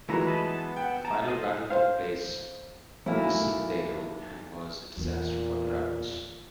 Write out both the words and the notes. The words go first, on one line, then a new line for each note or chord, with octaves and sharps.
The final battle took place at "Dussindale", and was a disaster for the rebels.
E3 F#3 G#3 A3 E4 A#5
D#5 A5 B5
B3 A5
F#5 G5
A5 A#5
A4 C5 D#5
C5 F5
B1 A3 A#3 E4 G4 G#4
E2 A#2